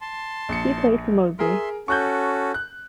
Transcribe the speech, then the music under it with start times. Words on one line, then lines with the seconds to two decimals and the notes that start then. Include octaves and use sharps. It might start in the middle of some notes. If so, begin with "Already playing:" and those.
He played for Moseley.
0.01 A5 C6
0.49 A#1 C#7
1.39 G#4 A#4 E5 C6
1.88 C#4 F#4 A4 C#6 F#6 G6
2.54 F#6